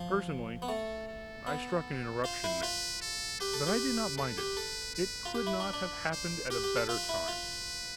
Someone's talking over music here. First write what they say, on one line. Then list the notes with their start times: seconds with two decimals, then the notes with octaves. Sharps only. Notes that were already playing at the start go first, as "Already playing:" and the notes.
Personally, I struck an interruption, now, but I did not mind it, it could not have happened at a better time.
Already playing: F3
0.62 B3
0.68 A3 A4
1.08 A4
1.47 B3
2.24 F4 C5
2.44 E4
2.62 F4 B4
3.02 A4
3.40 G4 B4
3.54 A4
3.67 G4
4.17 A4 B4
4.38 G4
4.57 A4
4.95 B4
5.25 F4
5.34 G4 B4
5.47 E4
5.60 D4
5.73 D4
6.12 C5
6.50 G4 B4
6.64 G4
6.77 A4
6.89 F4 B4
7.09 E4
7.28 F4